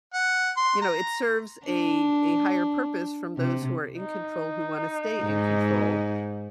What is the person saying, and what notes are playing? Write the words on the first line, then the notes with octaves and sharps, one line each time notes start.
you know, it serves a a higher purpose from those who are in control who wanna stay in control,
F#5
C6
A#5
D4
C3
D#4
G#2